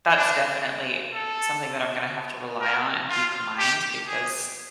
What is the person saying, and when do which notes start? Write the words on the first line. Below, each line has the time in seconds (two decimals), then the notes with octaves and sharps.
that's definitely something that I'm gonna have to rely on and keep in mind because
0.17 D4
1.14 A4
2.61 A#4
3.10 F4
3.59 G4
4.08 G#4